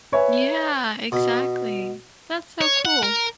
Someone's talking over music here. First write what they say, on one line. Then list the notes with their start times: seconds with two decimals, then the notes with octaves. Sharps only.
Yeah, exactly. That's so cool.
0.12 B4 C#5 E5 G#5
1.12 B2
2.61 C#5
2.85 F#5
3.03 A#4